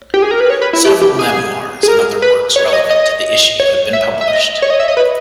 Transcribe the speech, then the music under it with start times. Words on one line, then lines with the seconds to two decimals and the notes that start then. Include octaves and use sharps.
Several memoirs and other works relevant to the issue have been published.
0.14 G4
0.22 G#4
0.31 A#4
0.40 B4
0.50 C#5
0.62 B4
0.73 E4
0.85 G4
1.01 G4
1.19 G#4
1.83 G#4
1.88 A#4
2.22 B4
2.56 C#5
2.68 C#5
2.73 D#5
2.90 D#5
3.60 C#5
3.93 E5
4.21 E5
4.28 D#5
4.62 C#5
4.70 D#5
4.80 E5
4.88 D#5
4.97 B4